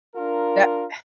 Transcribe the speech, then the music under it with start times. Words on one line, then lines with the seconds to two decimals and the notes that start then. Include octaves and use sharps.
that eh
0.16 D4 F4 A#4